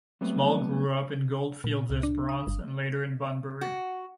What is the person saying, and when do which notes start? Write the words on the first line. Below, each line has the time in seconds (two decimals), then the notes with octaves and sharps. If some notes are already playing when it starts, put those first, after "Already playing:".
Small grew up in Goldfields–Esperance and later in Bunbury.
0.21 F#3 G3 A3 B3 C4
1.64 A#2
1.90 C#2
2.03 D4
2.29 D#6
2.47 G1
3.61 F#4